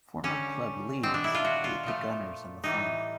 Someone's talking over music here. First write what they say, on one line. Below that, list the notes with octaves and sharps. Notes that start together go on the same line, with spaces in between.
Former club Leeds beat the "Gunners" in the final.
D3 G3 C#4
B2 G3 C4
D4
E4
F4
F#4
F4
A#2 F3 A3
A2 E3 G3 D#4